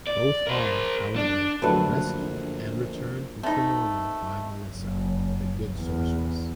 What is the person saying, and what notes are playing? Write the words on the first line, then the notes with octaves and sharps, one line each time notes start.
Both are, however, rescued and returned to normal by Melissa, the good sorceress.
D5
A#4 C5
D4
A#1 F#2 D3 F#3 A3 A4 B4
A3 C4 D#4
F#1
E2